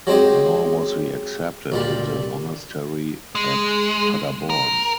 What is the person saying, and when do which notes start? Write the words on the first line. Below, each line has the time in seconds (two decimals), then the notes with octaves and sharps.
Nor was he accepted in the monastery at Paderborn.
0.07 F#3 G#3 C4 D#4 G4
1.72 D2 A#2 G3
3.35 G#3
4.50 A#4